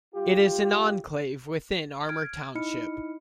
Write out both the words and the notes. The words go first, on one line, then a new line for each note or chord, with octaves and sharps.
It is an enclave within Armour Township.
G3 F4 G4
F6 G#6 D7
D#4 E4 D#5 B5 F6 C#7